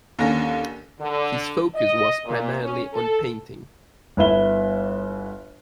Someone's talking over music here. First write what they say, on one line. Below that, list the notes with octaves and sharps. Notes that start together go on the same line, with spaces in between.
His focus was primarily on painting.
D#2 D3 C#4 A#6
D3
D#5
A#2
C#4
A4
G1 E4 B4 E5 G7